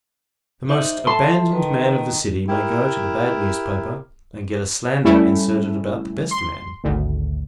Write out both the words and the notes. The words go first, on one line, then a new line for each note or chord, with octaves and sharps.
The most abandoned man of the city may go to the bad newspaper and get a slander inserted about the best man.
D#4 C5 D5 E5
A4 A5 C6
D#3 B4
E4 G4 A#4
G3 A3 C#4 E4
C6
G#1 D2